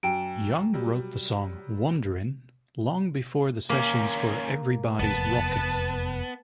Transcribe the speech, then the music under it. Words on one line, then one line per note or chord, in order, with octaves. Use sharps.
Young wrote the song "Wonderin'" long before the sessions for "Everybody's Rockin"'.
F#2 G5 D7
F#3 G3
D#2 A#3 C#4
F1 E2 B3 B4 A5